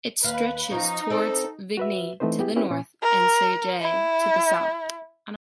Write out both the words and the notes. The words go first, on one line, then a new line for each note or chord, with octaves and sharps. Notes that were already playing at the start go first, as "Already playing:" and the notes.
It stretches toward Vigny to the north and Sagy to the south.
D#2 B4 F5
F3 C#4 D#4
C4 A4 D5
F#4 B4 E5
E3 A3 C4 D#4 B4 C5
B3 E4 G4 G#4
C4 C#4 E4 G4 B4
A#2 C#4 G#5
A#4
E4